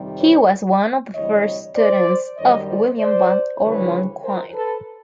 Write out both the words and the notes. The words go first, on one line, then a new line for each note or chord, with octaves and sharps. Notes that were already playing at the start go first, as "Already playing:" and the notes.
He was one of the first students of Willard Van Orman Quine.
Already playing: F2 C3 D#3 G3
B4 C#5
D2 C3 E3 G3 C#5 D#5
C5 D5
F#2 D#3 G3 C#5 D#5
C5 D5
C5 D5
D2 C#3 E3 G3 B4 C#5
A#4 C5
A4 B4